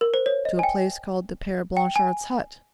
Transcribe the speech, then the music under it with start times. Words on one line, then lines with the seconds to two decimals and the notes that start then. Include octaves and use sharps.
"To a place called the Pere Blanchard's hut?"
0.01 A#4
0.14 C5
0.26 C#5
0.45 D#5
0.59 G#5
0.63 G5
1.77 G5
1.96 G#5